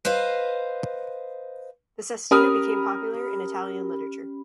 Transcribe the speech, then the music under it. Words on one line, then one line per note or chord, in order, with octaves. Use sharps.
The "sestina" became popular in Italian literature.
B4 C5 D#5 F5
C#4 G4 A#4 B5 D#6 F6